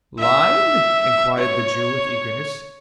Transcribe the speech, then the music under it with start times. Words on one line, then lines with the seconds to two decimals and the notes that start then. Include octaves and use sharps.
'Lined?' inquired the Jew, with eagerness.
0.20 E5
1.39 C#5